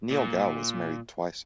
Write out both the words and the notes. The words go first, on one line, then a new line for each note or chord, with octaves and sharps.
Niel Gow was married twice.
A#2